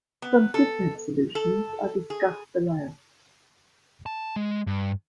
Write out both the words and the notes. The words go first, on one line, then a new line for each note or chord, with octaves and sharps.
Some different solutions are discussed below.
B3
A4
A4
G#4
A5
G#3
G2